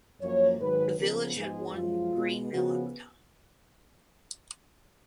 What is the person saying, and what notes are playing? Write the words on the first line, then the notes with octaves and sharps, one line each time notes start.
The village had one grain mill at the time.
F#2 F3 A#3 C#5
G#2 D#3 F#3 B4
C#3 F3 B3 A#4
G#2 F3 G#3 B3 G#4
F#2 F3 G#3 F4
B2 G#3 B3
C#3 F3 B3 F#4